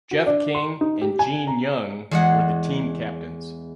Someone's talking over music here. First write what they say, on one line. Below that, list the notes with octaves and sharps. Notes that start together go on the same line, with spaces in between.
Jeff King and Gene Young were the team captains.
F#4
D4
C6
D#4
G4
G#5
A#5
E2 G#3 F#5